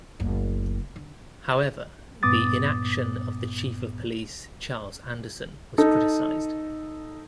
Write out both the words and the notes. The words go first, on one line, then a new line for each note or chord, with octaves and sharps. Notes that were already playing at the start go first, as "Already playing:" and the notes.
However the inaction of the Chief of Police Charles Anderson was criticised.
F#1 D2
D3
G2 A#2 B3 D6 D#6 A6
D#4 A4